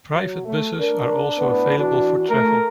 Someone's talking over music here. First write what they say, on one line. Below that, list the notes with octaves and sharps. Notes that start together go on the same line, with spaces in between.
Private buses are also available for travel.
F#3
A3
D4 A#4
A2 B3 B4
E3 D4 F#4
A3 A#4